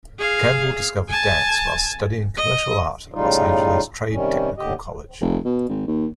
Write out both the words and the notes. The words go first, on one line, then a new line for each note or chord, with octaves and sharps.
Campbell discovered dance while studying commercial art at Los Angeles Trade-Technical College.
G#4 F5
G#5 A5
D#5
A2 C#3 G3 D#4 F4
C3 D#3 G3 C#4
D#2 A2 D3 G4 D#5
F1
B2
G#1
D#2